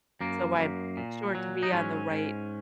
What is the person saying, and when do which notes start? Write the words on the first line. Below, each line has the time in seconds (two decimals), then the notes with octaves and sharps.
So, I'm sure to be on the right
0.21 F#2 A#3
0.59 F#2
0.97 A#2
1.35 F#3
1.63 D#4
1.73 G#2 C#4
2.11 G#2